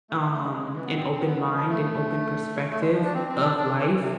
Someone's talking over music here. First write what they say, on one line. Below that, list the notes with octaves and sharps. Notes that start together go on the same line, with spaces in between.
um, an open mind and open perspective of life
A3
A3
A3
G#3
G#3
G#3
E3
B3
C4
C4
B3
G#3
F3
A3
A3
G#3
F3
D4
C4
C4
D4
D4
E3
C3